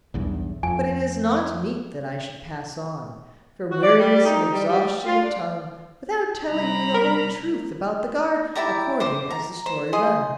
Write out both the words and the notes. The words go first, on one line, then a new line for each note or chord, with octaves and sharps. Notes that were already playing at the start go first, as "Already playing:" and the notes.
But it is not meet that I should pass on, from weariness and exhaustion of tongue, without telling you the whole truth about the garden, according as the story runs.
B1 E2 G2
F2 G#5
F#4
D5
G3
D#4
G3
G3
F4
D4
C3 G3 A#5 B5
A#4
E4 G4 D5 A#5
C5 C6 D6
A#5
C5
G#4 D#5 C6